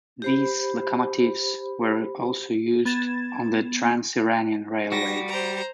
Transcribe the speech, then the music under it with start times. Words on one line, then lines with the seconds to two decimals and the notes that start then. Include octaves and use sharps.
These locomotives were also used on the Trans-Iranian Railway.
0.22 G4 C5 B5
2.85 B3 G#6 A6 E7
4.92 G3 F#4 A#6
5.28 C5 A#5